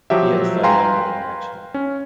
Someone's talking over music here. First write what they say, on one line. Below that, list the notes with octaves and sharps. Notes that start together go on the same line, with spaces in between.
He had a side-on bowling action.
F3 F#3 G4 E5
B4 F5 G5 G#5 A#5 C6
C#4